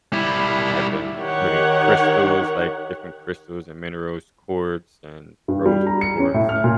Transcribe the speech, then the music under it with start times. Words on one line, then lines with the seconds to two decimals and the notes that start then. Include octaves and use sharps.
I've been putting crystals, like, different crystals and minerals, quartz, and rose quartz, and,
0.13 G3 E4
1.19 D#3 G4 C#5 F#5
5.48 G2
5.66 G3
5.87 A#5
6.01 C#7
6.19 C#4
6.34 A2
6.49 F6
6.64 A#2